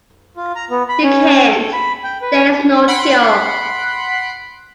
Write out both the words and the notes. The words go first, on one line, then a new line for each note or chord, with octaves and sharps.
You can't; there is no cure.
F4
A#5
B3
B5
C#4
A4
B5
G5
B4
F#5 B5 C6 D7